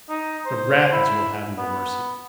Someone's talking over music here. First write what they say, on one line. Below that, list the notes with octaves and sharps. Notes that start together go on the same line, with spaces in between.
The rapids will have no mercy.
D#4
C5
E4
B3